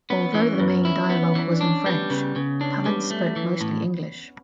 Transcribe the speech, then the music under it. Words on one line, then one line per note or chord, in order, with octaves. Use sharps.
Although the main dialogue was in French, Palance spoke mostly English.
B3 C#4
E3 C#4
C#4
F#2 B3
C#4 E4
B3
C#4
E3
D4
C#4 D4
G3 B3
C#3 B3
C#3 B3
C#4 D4
G3 B3
A3
E3
A2